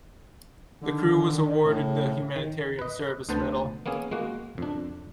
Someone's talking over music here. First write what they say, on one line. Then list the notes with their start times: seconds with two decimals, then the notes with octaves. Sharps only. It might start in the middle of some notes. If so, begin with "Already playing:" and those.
The crew was awarded the Humanitarian Service Medal.
0.82 D3 D#3
1.24 D#3
1.64 A2 C#3
2.36 D#3
2.79 B4 D#5
3.29 D2 D3 B3 B4 C5 A5
3.86 A#3 B3 C#4 G#4
4.11 G#3 A#3 F#4
4.58 F2 D4